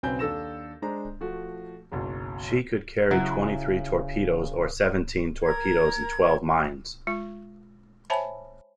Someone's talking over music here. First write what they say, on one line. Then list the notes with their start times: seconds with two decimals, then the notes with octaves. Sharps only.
She could carry twenty-three torpedoes or seventeen torpedoes and twelve mines.
0.03 B1 C#3 C4 B4 G#5 G6
0.19 D#2 D4 A4 E6 A#6 E7
0.82 G#3 D4 C5 A#5
1.21 F3 A3 F#4
1.92 F#1 B1 F#3
3.11 C#3 F#3 E4
5.42 A#4 G#6
7.07 G#3 F4
8.10 C5 C#5 E5 G#5 A5 B5